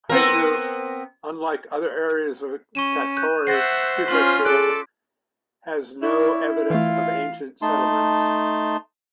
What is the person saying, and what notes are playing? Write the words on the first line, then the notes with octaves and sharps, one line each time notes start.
Hiezu, unlike other areas of Tottori Prefecture, has no evidence of ancient settlements.
B3 C4 A#4
C#4 C#6 D#7 E7
F#6 G6
C5 E5 F#5 A6 A#6 C7
C#4 F4 C6 B6
G#4 A4 D5 F#6
D4 E4 C#5
E3 A3 F4 F5
A3 D#4 A5 C6